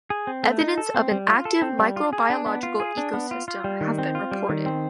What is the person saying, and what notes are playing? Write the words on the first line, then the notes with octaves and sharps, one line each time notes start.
Evidence of an active microbiological ecosystem have been reported.
G#4
C4
A3
D#4
A4
C4
G3
F4
A4
C4
G3
F4
G#4
D4
B3
F4
G#4
D4
B3
F4
F4
G3
D#3
C4
F4
G3
D#3
C4